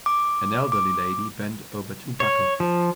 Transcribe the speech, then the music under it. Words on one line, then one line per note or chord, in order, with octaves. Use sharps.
An elderly lady bent over two buckets.
D6
D6
C#5
F3